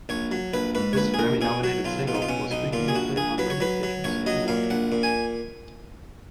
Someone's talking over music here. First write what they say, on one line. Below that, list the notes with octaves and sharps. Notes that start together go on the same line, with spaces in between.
This Grammy nominated single was frequently played on radio stations nationwide.
A#1 C#5
F#3
A#1 B4
G#2 B4
C#5
A#1 B4
G#4
A#1 A#4
B2 G#4
F#3 F#4
B1 F4
B2 F4
D#4
F4
B2 C#4
B1 D#4
A#2 F4
G#4
A#1 F#4
A#1 G#4
F#3 B4
C#5
F#3 B4
F#3
A#1 C#5
F#3 D#5
A#2 F5
A#1 F#5
A#2
G#5